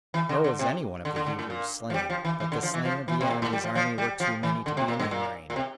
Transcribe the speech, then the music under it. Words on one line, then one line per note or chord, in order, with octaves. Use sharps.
Nor was any one of the Hebrews slain; but the slain of the enemy's army were too many to be enumerated.
E3
D3
D3
C3
D3
D3
D3
A2
A#2
F3
G3
F3
E3
E3
D3
F3
E3
F3
E3
C3
A#2
A2
G3
F3
F3
G3
F3
E3
D3
C3
A#2
G2
A#2
A#2
C3